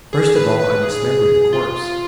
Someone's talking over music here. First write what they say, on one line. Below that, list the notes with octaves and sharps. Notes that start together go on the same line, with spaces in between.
First of all I dismembered the corpse.
G#4
B4
B4
G#4
F4